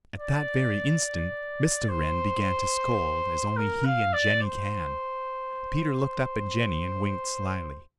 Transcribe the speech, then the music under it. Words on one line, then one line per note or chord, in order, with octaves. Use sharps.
At that very instant Mr. Wren began to scold as only he and Jenny can. Peter looked up at Jenny and winked slyly.
D5
C5
A#4
F5
D5
C5